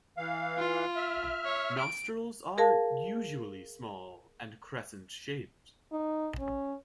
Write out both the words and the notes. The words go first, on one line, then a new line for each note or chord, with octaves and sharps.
Nostrils are usually small and crescent shaped.
E3 F5
F4
E5 F6
C#5
D7
G#4 A#4 F5 A5
D#4
C#4